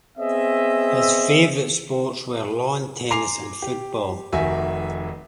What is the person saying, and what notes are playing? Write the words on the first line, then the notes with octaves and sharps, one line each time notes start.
His favourite sports were lawn tennis and football.
B3 C4 G#4 D#5 E5
G#5 A#5 C6 D6 C7 F7
G4
F1 D#3 F#4 E5 G#5